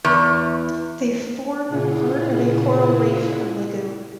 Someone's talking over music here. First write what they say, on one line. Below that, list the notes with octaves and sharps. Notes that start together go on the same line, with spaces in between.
They form part of a coral reef and lagoon.
E2
A#2 C#3 E4 F4 G#4 F#5